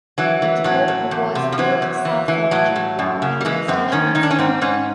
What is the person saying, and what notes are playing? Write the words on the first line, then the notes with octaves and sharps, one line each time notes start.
The depot was built south of Changhua railway station instead.
E3 F#3
E3
A2 F#3
A2
E2
C3
F3
E3 F#3
E2
E3
E3
A2 F#3
A2
F#2
C#3
G3
E3 G#3
F#2 C4
D#3 C#4
D#3 D#4
D4
C#4
G#2 C4
G#2 C#4